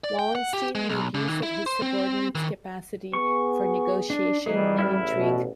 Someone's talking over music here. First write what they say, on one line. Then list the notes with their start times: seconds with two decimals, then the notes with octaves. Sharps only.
Wallenstein made use of his subordinate's capacity for negotiation and intrigue.
0.04 D5
0.19 G5
0.35 F#5
0.53 G4
0.75 G#3
0.89 B1
1.14 C#3
1.29 D#3
1.43 E4
1.66 C5
1.82 C4
2.35 D#3
3.13 B3 G#4 C#6
4.10 D4
4.46 C2 E3 F3 G3 D#4 G#4
4.79 A1 E2 E4 E5 F6
5.13 B2